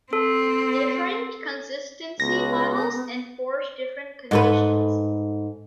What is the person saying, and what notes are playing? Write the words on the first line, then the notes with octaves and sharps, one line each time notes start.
Different consistency models enforce different conditions.
C4 A4
C#2 B3 A#6
G#2 A4 B4